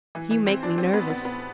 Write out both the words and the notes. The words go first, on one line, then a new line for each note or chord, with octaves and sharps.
"You make me nervous."
E3
E3
C4
D4
C4
B3
B3
B3